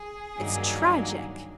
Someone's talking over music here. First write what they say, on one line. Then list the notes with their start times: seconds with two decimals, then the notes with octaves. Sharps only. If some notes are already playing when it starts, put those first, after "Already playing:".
It's tragic.
Already playing: G#4
0.38 G2 D#3 F#3 A#3